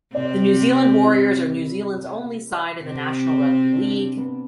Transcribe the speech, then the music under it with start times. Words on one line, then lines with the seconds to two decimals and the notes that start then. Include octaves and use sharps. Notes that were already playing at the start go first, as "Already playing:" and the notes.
The New Zealand Warriors are New Zealand's only side in the National Rugby League.
0.13 C3 C4 D5
0.59 G4
1.04 E4
2.83 C3 C4
3.73 D4
4.18 B3